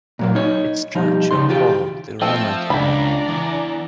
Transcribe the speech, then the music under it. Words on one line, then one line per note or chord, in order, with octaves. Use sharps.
Its structure follows the Roman Canon.
A#2 F#3 A#3
D#4 C#5
B2 F3 G3 D#4
C#3 D#4 C6
E2 B2 F4 G4 G5
F3 A3 C4 E6
C#2 D4 D5 A#5 B5
E2